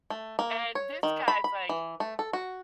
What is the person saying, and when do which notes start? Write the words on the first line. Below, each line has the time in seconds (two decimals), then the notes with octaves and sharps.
and this guy's, like,
0.10 A3
0.39 A#3
0.75 C#5
1.03 D#3
1.28 B5
1.44 B5
1.69 E3
2.00 A3
2.19 A4
2.33 F#4